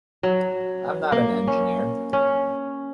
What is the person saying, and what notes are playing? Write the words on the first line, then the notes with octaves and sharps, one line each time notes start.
I'm not an engineer.
F#3
A#3
C#4
C#4